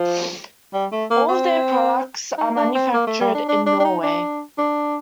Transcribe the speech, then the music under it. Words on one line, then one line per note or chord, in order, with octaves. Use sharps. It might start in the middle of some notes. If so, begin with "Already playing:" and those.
All of their products are manufactured in Norway.
Already playing: F3
G3
A3
A#3
C4
D#4
D4
C4
A#3
A3
G3
D4
D4
D4
D4
D#4
D4
D4